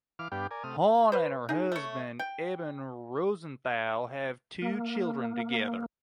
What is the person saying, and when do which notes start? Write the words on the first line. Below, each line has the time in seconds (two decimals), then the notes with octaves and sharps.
Hawn and her husband Eben Rosenthal have two children together.
0.19 E3 F5 D6 F6
0.32 G2 B3 D4 G4 F5 G5
0.51 A#4 D5 G#5
0.63 C3 A3 D#6 F6
1.12 B4 C5
1.49 D#4 G#4
1.72 A3 C#5
2.19 G5
4.62 A#3